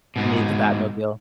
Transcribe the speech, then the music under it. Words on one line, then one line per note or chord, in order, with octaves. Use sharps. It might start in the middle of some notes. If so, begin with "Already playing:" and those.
Need the Batmobile.
G#2 B2